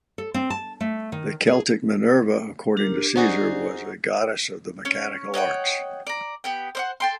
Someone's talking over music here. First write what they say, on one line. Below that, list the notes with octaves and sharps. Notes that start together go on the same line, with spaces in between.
The Celtic Minerva, according to Caesar, was a goddess of the mechanical arts.
A4
C4
A5
A3
D#3
G#4
D4 G4 A#4
D#4 F#4 G#4 C5 D5 F#5 G#5
C#4 C#5
C#5 D#5 F#5 G5
D5 A#5
B3 G4 G5
C5 D5 F#5
A4 G5 C6